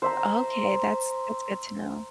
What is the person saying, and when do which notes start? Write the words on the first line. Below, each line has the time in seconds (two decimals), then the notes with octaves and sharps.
Okay, that's that's good to know.
0.02 C5 E5 A#5